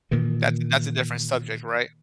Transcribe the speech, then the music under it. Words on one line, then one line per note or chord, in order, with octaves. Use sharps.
That's that's a different subject, right?
A#2 D#3 E3